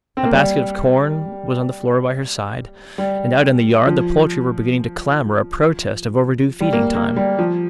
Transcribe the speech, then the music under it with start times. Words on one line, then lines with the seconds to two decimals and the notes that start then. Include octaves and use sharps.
A basket of corn was on the floor by her side, and out in the yard the poultry were beginning to clamour a protest of overdue feeding-time.
0.17 C4
0.25 A#3
0.33 G3
2.98 G3
3.86 F3
6.60 G3
6.73 A#3
6.95 A#3
7.16 G3
7.39 F3